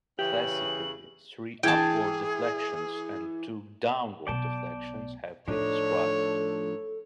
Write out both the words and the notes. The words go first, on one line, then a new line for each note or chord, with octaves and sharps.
Classically three upward deflections and two downward deflections have been described.
C#3 E3 G4 F#7
E3 G#4 G5 A5 G#6
B1 B2 D5 G5 A5
A2 F3 D4 D#4 A4 C#5